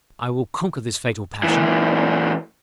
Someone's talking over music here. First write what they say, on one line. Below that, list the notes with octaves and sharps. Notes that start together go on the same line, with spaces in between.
I will conquer this fatal passion.
A#2 E3